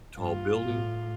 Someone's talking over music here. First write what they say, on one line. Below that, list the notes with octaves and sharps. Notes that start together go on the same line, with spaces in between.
Tall building.
G2 F4
A2